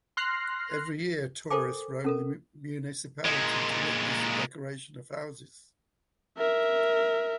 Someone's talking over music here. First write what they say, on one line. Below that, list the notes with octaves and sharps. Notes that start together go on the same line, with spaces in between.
Every year, tourists roam the municipality to witness the decoration of houses.
C6 F6 F#6 A#6 C7
A4 A#4 C5 G5 G#5 D6
C#4 A4 A#4
A#2 G#3
A#4 E5